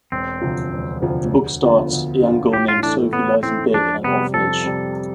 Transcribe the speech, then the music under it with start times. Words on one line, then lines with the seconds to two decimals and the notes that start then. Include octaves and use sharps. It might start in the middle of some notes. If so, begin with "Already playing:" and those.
The book starts, a young girl named Sophie lies in bed in an orphanage.
0.12 E1 C4
0.41 D2 C3 F3
0.72 E1
1.02 D2 C3 F3
1.32 D2
1.62 D3 F3 B3 F4
1.93 D2
2.23 D3 F3 B3 F4
2.53 A2 G4
2.68 F4
2.83 E3 A3 D4
3.13 A2 B3
3.43 E3 A3 C4
3.74 F2 D4
4.04 C3 G3 B3
4.34 F2 A4
4.64 C3 G3